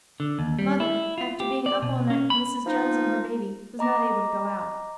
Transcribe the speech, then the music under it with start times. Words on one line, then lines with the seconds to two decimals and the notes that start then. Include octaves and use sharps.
Mother, after being up all night with Mrs. Jones and her baby, was not able to go out.
0.20 D3
0.39 D#2
0.59 G3
0.80 E4
1.18 F4
1.40 G4
1.66 D5
1.82 B2
2.10 C#4
2.30 B5
2.66 F3 D#4
3.79 D#5 A#5 D6 A#6